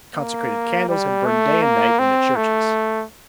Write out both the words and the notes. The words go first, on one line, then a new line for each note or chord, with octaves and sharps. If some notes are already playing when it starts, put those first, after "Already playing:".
Consecrated candles had burned day and night in the churches.
A#3
G3
A3
A#3
C4
A3